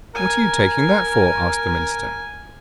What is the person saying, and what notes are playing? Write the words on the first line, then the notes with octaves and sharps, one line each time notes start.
'What are you taking that for?' asked the minister.
A#4 G#5